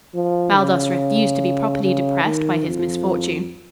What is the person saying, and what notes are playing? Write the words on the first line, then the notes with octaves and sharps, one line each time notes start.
Baldos refused to be properly depressed by his misfortune.
F3
C#3
C#3
D#3
F2